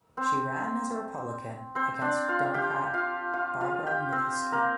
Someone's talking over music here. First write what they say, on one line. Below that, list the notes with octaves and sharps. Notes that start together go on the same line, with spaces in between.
She ran as a Republican against Democrat Barbara Mikulski.
C4 C5
C4 C5
D4 D5
F4 F5
G4 G5
F4 F5
F4 F5
F4 F5
G4 G5
C4 C5
A#3 A#4